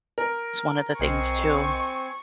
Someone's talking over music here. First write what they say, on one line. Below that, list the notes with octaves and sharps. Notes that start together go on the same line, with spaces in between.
is one of the things too.
A#4
B1 C4 C5 D#5 G#5 C#6 C7